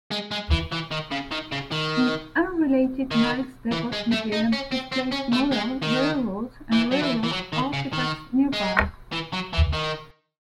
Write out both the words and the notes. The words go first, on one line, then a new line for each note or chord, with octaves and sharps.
The unrelated Niles Depot Museum displays model railroads and railroad artifacts nearby.
G#3
G#3
E3
E3
D#3
C#3
D#3
C#3
D#3
D#3
E3
G#3
A3
D#4
C#4
C4
C4
C#4
A3
G#3
D#3
E3
F#3
E3
E3
F#3
D#3
C#3
D#3
G#3
E3
F#3
E3
D#3